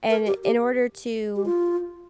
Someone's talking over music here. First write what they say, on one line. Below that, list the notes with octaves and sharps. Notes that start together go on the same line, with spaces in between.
And i in order to
A#4
G4
G4
G4
F4